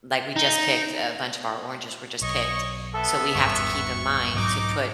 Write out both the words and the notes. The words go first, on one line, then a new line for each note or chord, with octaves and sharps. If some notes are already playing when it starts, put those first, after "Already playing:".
like, we just picked a bunch of our oranges were just picked. So, we have to keep in mind to put
D#4
B1 C#5 D#5 C#6
B3 A4 E5
G#1 E2 G2 C#6
B1 G#2 F#3 D#4 D6